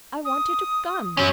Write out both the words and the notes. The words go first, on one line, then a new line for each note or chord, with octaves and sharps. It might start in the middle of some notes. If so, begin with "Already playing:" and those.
'I wanted to come.
D#6
F#3 C#4